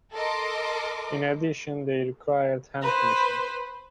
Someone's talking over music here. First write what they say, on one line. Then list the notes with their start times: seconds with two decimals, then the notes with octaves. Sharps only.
In addition, they required hand finishing.
0.12 A4 A#4 D#5 C6 D6
2.82 B4 C5